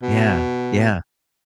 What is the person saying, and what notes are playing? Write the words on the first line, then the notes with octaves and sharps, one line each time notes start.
Yeah, yeah.
B2